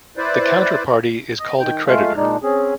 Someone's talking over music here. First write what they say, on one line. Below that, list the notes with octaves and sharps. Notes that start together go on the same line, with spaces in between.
The counterparty is called a creditor.
E4 B4 C5 D5
D#5
D#3 G5
G#3 A3 F4 F5
A#2 G#3 D4 D#4
C4 C#4 G#4